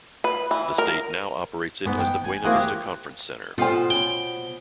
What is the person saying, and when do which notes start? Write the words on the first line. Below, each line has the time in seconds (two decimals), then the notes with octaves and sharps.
The state now operates it as the Buena Vista Conference Center.
0.24 B4
0.51 E3
0.78 A#4
1.86 G#2 B3 B5
1.99 G5
2.24 G#5
2.44 A#3 C4 E4 F#4 G#4
2.56 G4
3.58 B2 F4 A4 C5 D5 G5
3.90 C#4 G5 G#5 B5